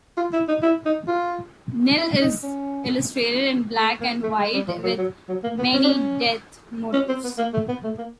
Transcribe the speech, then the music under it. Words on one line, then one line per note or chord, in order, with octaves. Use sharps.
"Nil" is illustrated in black and white with many death motifs.
F4
E4
D#4
E4
D#4
F4
E4
D#4
C#4
A3
A#3
A3
G#3
G3
F3
F#3
F#3
F#3
A#3
B3
C#4
D4
C#4
C#4
C4
B3
A#3
A3
B3
A3
A#3